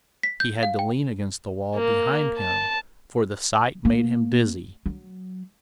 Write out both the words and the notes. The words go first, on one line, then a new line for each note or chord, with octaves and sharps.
He had to lean against the wall behind him, for the sight made him dizzy.
B6
G6
F5
G5
A#3
A5
A#3
F#3